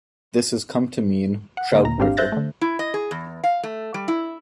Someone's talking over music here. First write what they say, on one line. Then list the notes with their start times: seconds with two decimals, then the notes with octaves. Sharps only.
This has come to mean "trout river".
1.57 F#5
1.72 D3 A#3
1.83 D#2 A#2 A#5
1.98 G#1 G#2 C4 D4 G4 F5
2.17 C5 E5 F#6 G6 A6 A#6
2.32 D3 A3
2.61 E4
2.79 D#5
2.94 G#4
3.11 E2
3.44 F5
3.63 A3
3.94 G3
4.08 E4